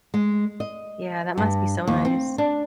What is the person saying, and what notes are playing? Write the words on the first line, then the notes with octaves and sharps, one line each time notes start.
Yeah, that must be so nice.
G#3
D#5
G2
D#2
C4
D4